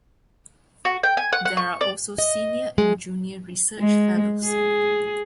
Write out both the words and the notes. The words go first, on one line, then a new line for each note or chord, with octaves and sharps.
There are also Senior and Junior Research Fellows.
F#4
G5
G#5
F#5
F#5
C#6
D5
D#5
G#3
G#3
G#4